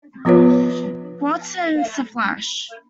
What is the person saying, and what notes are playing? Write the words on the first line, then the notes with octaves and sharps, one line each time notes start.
Quartz and Sflash.
F3 B3 F4 B4 C#5